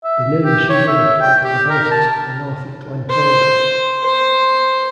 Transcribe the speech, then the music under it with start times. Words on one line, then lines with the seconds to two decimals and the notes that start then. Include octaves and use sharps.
The name is usually applied to the mountains to the north of Glen Torridon.
0.04 E5
0.44 G4
0.70 C#5
0.88 E5
1.21 G5
1.44 G4
1.70 A#4
1.91 A5
3.10 C5
4.04 C5